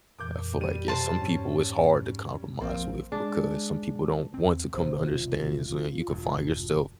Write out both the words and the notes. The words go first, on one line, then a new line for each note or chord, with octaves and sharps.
I feel like, yeah, some people, it's hard to compromise with because some people don't want to come to understanding. So, then you could find yourself
F2 A#2 E3 D6 G6
G3 D#7
B2 C5 A5
G#2 G3 C#4
A#1 F3 A#3 C4
G#3 D4 G#4
E2 C4
E1 C2 D#3 C5
F4
E1 G2